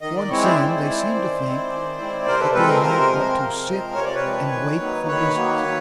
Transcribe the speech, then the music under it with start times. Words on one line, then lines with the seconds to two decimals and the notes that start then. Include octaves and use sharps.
Once in, they seem to think that they have but to 'sit and wait' for business.
0.01 D#3 D#5
0.16 D5
0.30 G#3 C4 E4 C#5
0.43 C5 D5
0.58 D#3
0.86 G#3 C4 E4
1.14 D#3
1.42 G#3 C4 E4
1.70 D#3
1.98 G#3 C4 E4
2.26 C3 A#4 C5
2.40 A4 B4
2.54 F3 G#3 C4 A4 B4
2.68 A#4 C5
2.82 C3 A#4 C5
3.11 F3 G#3 C4
3.38 C3
3.67 F3 G#3 C4
3.95 C3 C#5
4.05 D5
4.15 B4 C#5
4.23 F3 G#3 C4
4.51 D#3
4.80 F#3 A#3 D#4
5.07 D#3 B4 C#5
5.36 F#3 A#3 D#4
5.64 D#3